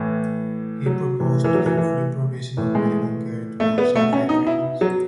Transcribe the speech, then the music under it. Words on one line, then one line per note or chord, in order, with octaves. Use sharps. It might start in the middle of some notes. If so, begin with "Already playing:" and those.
He proposed the free provision of medical care to all South Africans.
Already playing: A2 E3
F#3
A2 E3
E3
F#3
E3
E3
A2 E3
G#3
A3
B3
B2 A3
C#4
D#4
E4
F#3